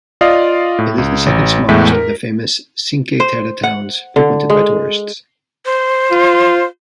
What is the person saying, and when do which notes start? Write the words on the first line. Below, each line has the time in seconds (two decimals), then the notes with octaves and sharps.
It is the second smallest of the famous Cinque Terre towns frequented by tourists.
0.21 F4 D5 D#5 F5 D#6
0.79 A2
0.98 C#2
1.26 A1
1.69 E2 A2 G#3 E5 B6
1.93 A#4
3.20 C5
3.63 F#5
4.16 D3
4.50 G#3
5.66 C5
6.11 F4